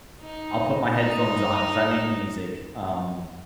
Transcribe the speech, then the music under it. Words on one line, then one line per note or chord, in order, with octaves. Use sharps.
I'll put my headphones on, 'cause I make music, um,
D#4
D#4